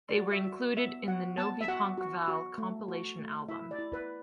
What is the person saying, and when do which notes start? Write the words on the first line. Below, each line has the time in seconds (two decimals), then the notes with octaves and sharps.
They were included in the "Novi Punk Val" compilation album.
0.09 D5
0.17 F#4
0.32 E5
0.47 F#4
0.77 B3 E5
1.08 F#4 F#5
1.37 B3 A5
1.61 E5
1.68 F#4 F#5
1.98 F#4
2.28 F#4
2.58 A3
2.88 F#4
3.19 A3
3.48 E4 E5
3.71 D5
3.79 E4
3.93 B4